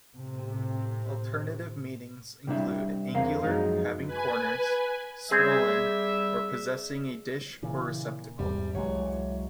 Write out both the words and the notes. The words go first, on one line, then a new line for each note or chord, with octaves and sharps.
Alternative meanings include "angular, having corners", "swollen", or "possessing a dish or receptacle".
A2 C3
C3 G3 D4 E4 E5
E2 C4 A#4 F5
F#2 F3 F#3 G#3 D#4
B4 G#5
G3 C4 G#4 E5
A#2 C#3 E3
E2 G#2 C3 G3
C2 E3 F#3 G#3 C#5